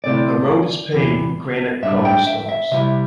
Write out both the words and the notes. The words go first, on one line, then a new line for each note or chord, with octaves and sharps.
The road is paved with granite cobblestones.
D2 C3 A3 C4 E4 D5
E2 C3 E3
G2 G3 D4 E5
G5
E5
E5
C3 G3 E4 E5